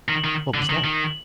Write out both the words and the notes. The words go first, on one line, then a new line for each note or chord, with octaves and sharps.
What was that?
D#3
D#3
D3
D#3
D#3